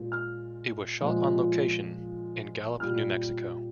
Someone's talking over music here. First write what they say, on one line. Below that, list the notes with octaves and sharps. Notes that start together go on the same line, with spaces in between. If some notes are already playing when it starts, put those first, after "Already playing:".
It was shot on location in Gallup, New Mexico.
Already playing: A#2 G#3
F6
A#2 F3 G#3
A#2 G3 F6